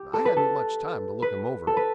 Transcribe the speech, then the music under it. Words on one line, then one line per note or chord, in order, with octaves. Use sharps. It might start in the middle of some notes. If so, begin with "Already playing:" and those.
I hadn't much time to look him over.
Already playing: G4
A4
B4
A4
B4
A4
B4